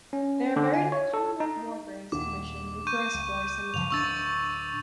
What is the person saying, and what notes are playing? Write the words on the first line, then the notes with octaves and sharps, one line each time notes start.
They are buried at the Commonwealth War Graves Commission Bucharest War Cemetery.
C#4
D3
G#5
C#5
A4
D#4
D#1 D#2 D4 D6
C#6 G6 D#7
C#2
G2 C#3 F3 F7
D1 C4 D4 C#6 E6 A6